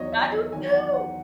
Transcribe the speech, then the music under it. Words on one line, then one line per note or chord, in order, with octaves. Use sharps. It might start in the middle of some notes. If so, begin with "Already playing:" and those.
I do too!
Already playing: E2 D#3 F#3 C#5 D#5
E5
E2 D#3 F#3 G#5
F#5
F#5